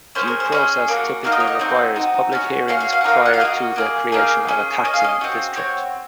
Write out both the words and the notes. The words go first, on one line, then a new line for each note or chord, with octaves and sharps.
Due process typically requires public hearings prior to the creation of a taxing district.
C#4 G#4 C5
A#4
C5
C#4 G#4 D#5
A#3 D#4 F#4
A#3 D#4 F#4 F5
D#5
C#5
D#5
C4 D#4 F#4
C4 D#4 F#4
C#4 F#4
C#4 F#4 F5
F5
F5
F#5
A#3 D#4 F#4 F5
F#5
F5
A#3 D#4 F#4 D#5
A#3 D#4 G#4
A#3 D#4 G#4 F5
C#4 G#4
C#4 G#4 D#5
F5
D#5
C4 F#4
C4 F#4 C#5